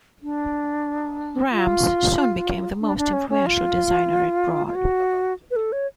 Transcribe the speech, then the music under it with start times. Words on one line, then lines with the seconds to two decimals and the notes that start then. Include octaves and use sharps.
Rams soon became the most influential designer at Braun.
0.23 D4
1.52 F4
2.81 D4
2.98 D4
3.13 C#4
3.30 C#4
3.46 F4
4.67 F4
4.75 F#4
5.51 B4
5.56 A4
5.72 C#5